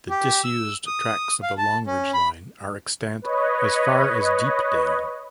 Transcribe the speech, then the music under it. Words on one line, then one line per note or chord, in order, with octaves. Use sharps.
The disused tracks of the Longridge line are extant as far as Deepdale.
G4
E6
D#6
F5
A5
C#4
B5
B4 C#5 D#5